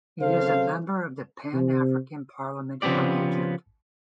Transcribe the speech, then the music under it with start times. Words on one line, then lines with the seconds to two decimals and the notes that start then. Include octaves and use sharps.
He is a member of the Pan-African Parliament from Egypt.
0.21 C#3 F#3 C4 A4 C5 F5
1.54 C3
2.82 C#3 F3 B3 C4 G4 D5